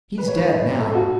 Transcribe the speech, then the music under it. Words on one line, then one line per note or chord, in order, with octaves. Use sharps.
He's dead, now.
B4
C#5
B4
A4
F#4